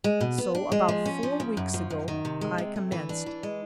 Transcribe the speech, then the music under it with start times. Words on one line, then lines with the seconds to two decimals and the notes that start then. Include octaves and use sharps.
So, about four weeks ago, I commenced.
0.04 G#3
0.21 B2
0.38 B3
0.55 D4
0.72 G#3
0.88 F3
1.06 C#4
1.23 F3
1.40 C#3
1.57 F#2
1.74 F3
1.90 F#2
2.08 D#3
2.25 C3
2.41 G#3
2.58 C3
2.76 A3
2.92 E3
3.09 D4
3.26 E3
3.43 G#3